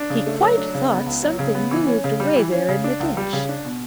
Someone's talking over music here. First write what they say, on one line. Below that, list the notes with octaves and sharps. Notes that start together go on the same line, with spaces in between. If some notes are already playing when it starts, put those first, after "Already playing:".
He quite thought something moved away there in the ditch.
Already playing: D4
C#3
A3
F#3
D4
C#3
B3
C#2
F#3
C#3
B3
E3
C#4
C#3
G3
E3
C#4
C#3
D4
C#2
G3
C#3
D4
B2